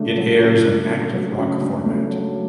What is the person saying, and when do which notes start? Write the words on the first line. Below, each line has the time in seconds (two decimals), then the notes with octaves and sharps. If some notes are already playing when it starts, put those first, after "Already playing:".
It airs an active rock format.
Already playing: C#3 A3 D4
0.17 F#3
0.41 C#3
0.65 D4
0.89 A3
1.14 F#3
1.38 C#3
1.62 D4
1.86 A3
2.11 F#3